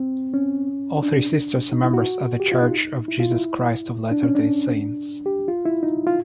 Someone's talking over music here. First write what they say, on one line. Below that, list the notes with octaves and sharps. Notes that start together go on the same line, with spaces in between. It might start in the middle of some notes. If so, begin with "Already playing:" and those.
All three sisters are members of The Church of Jesus Christ of Latter-day Saints.
Already playing: C4
C#4
D4
D#4
E4
F#4
G4
F4
D#4
E4
F4
E4
D4
C#4
D4
G4
F4
E4
D#4
F4